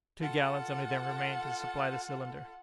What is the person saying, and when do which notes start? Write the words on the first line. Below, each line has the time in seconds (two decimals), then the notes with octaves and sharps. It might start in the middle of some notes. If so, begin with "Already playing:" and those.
Two gallons only then remained to supply the cylinder.
0.21 F4 A4 F#5